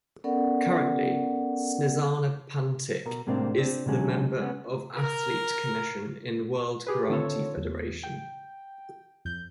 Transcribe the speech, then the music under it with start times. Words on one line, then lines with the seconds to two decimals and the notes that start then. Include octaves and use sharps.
Currently, Snezana Pantic is the member of Athlete Commission in World Karate Federation.
0.24 B3 C#4 A4 A#4 D5 F#5
3.06 B2 A#4
3.27 A2 C3 G#3 A#3 C4 D4
3.58 C4 D4
3.86 B2 D3 F#3 G#3 C#4
4.40 G#3 B3 C#4
4.95 A#4
6.87 G4 G#4 B4
7.09 D3 D#3 C4 F4 A4 C#5
7.57 E2
8.03 G5
9.25 F2 G6